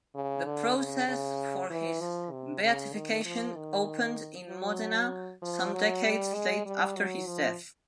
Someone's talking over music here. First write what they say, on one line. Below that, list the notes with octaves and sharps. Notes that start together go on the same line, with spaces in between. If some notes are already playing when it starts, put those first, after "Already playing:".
The process for his beatification opened in Modena some decades after his death.
C#3
D3
C#3
C#3
E3
F3
C3
C#3
D#3
F3
D#3
F#3
F3
F#3
G3
G#3
G3
F#3
F3